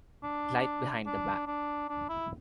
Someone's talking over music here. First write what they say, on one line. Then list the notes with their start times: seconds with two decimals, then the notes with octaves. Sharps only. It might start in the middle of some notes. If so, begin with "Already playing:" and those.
Light Behind The Back.
0.23 D4
1.06 D4
1.47 D4
1.89 D4
2.09 E4